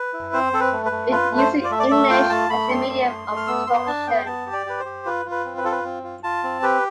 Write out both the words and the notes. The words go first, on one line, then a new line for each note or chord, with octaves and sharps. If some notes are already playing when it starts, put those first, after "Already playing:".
It uses English as the medium of instruction.
Already playing: B4
E4
C4 C5
C4 A4
B4
A3
B4
A3
F4 B4
A3
C5
F4
D5
A3 E5
D5
A3 E5
F4 G5
A3 A5
A3 B5
C4 C6
A3
A3
A3
F6
B3 E6
B3 C6
D4 A5
B3 G5
B3 A5
G4
D5
G4 B4
C5
G4
F4 B4
F4
B4
C4
B4
F4 A4
B4
C4
F4
F4 A5
C4
G4 B4